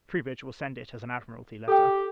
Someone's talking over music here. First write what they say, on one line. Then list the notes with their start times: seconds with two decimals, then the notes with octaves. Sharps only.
Troubridge will send it, as an Admiralty letter.
1.68 G4 A4 G5